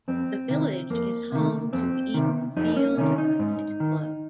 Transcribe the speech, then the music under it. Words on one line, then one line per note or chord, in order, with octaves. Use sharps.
The village is home to Edenfield Cricket Club.
F2 C4
C3 D#3
F2 A#3
C3 D#3
F2 C4
C3 D#3
F2 D#4
C#4
C3 D#3 C#4
D#4
G#2
D#3